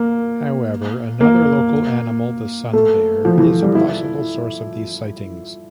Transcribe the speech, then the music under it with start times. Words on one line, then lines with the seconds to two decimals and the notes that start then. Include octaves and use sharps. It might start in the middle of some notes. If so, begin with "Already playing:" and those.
However, another local animal, the sun bear, is a possible source of these sightings.
Already playing: A#3
1.21 A#3
2.73 A3
3.25 F3
3.38 E3
3.62 G3
3.75 E4